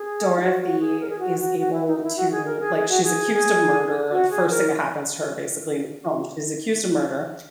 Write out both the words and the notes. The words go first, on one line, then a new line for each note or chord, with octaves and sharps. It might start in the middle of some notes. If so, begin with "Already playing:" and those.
Dorothy is able to like she's accused of murder- the first thing that happens to her basically in the home- she's accused of murder,
Already playing: G#4
E4
F#4
F#4
G#4
A#4
G#4
F#4
F#4
F#4
E4
D#4
F#4
E4
F#4
G#4
A#4
G#4
G#4
F#4
G#4
G#4
F#4
G#4
A#4